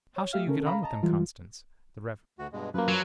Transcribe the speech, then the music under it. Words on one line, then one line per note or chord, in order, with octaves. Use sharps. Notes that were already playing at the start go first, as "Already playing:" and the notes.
"How shall you get on with them, Constance?" the Rev.
C#5
A3 G4 E5 F5 F6
C#3 C#4 A4 A#4
F5 A#5 B5
D#5 A5 A#5
E3 G3 G#3 F4
D2 F#4
G2 B2 G#3
F#2 F3 A#3 B4
F#3